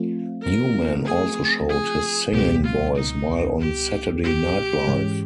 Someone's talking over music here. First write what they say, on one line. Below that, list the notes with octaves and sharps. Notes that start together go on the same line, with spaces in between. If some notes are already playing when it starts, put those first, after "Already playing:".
Newman also showed his singing voice while on Saturday Night Live.
Already playing: F3 A3 C4 F4
A#4
G#4
G#4
C#2 B2 G3 B3 G4
F4
D#4
G4
G4
G#2 E3 G#3 C#4